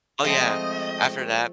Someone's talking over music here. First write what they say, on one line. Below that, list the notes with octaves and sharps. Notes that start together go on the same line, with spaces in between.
Oh, yeah. After that,
F3 G#3 A3 C4 D#5